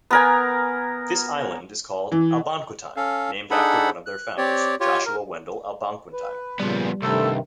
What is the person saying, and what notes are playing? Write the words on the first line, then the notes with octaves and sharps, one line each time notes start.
This island is called Albonquetine, named after one of their founders, Joshua Wendell Albonquetine.
B3 A#4 G#5
E3
C#4 A4 F5
D4 D#4 G#4 A4 F#5 B5
F#6
C4 G4 C#5 D5
F4 G4 C#5
A#4
B4
A#2 C#3 F3 G3 B3
C2 G2 C3 D#3 A3 A4